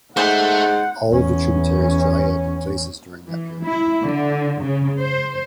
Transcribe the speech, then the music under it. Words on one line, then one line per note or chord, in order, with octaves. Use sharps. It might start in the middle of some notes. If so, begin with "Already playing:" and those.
All of the tributaries dry up in places during that period.
G#2 A3 C5 F#5
E2 C#4
E3
E4
D3
C#3
C5